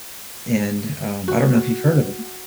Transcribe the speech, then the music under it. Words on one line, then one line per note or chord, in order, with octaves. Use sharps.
and, um I don't know if you've heard of him.
F#4